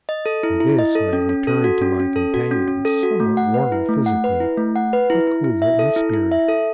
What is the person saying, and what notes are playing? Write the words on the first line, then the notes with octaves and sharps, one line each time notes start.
With this I returned to my companions, somewhat warmer physically, but cooler in spirit.
D#5
A4
E4
E4
D#5
A4
C#4
C#4
A4
F#4
C#4
C#4
A4
F#4
C#4
C#4
A4
F#4
A3
F#5
B4
E4
A3
F#5
B4
E4
A3
F#5
B4
E4
E4
E4
E5
A4
E4
E4
E5
A4